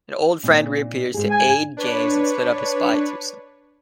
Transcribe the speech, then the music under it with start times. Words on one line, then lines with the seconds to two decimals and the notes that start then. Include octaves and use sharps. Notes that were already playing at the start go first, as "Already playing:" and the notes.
An old friend reappears to aid James and split up this spy twosome.
0.43 A#2 C4 D#4
1.14 G#2 G#4
1.30 G#5
1.77 D4 B4 C#5